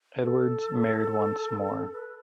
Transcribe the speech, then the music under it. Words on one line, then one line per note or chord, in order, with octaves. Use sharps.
Edwards married once more.
A4
B4